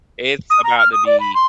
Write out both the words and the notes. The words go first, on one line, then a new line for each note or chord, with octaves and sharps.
it's about to be
D#6
A#5
F6
D#6
D5
B5
C6